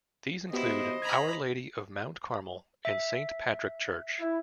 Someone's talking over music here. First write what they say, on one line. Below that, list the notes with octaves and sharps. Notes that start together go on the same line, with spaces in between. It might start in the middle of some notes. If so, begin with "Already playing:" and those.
These include Our Lady of Mount Carmel and Saint Patrick Church.
B3 E4 F#4 G4 C5 D#5
A#5 B5 G#6
E5
E4